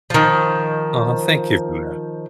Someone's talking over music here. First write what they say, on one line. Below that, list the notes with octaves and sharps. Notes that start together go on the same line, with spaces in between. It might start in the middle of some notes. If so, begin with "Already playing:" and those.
Aw, thank you for that.
D#3 F3